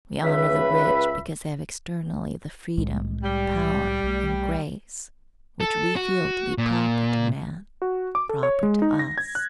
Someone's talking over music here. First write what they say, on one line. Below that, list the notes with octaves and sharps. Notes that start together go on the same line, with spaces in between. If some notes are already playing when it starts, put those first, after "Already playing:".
We honor the rich because they have externally the freedom, power, and grace which we feel to be proper to man, proper to us.
C#2 B4 E5 B5
C2 A2 G#3
G3
B1 A3
A4
F#4
A#2
F#4
D6
A4
C#5
G#3
D#4
A#6
G#6
F#6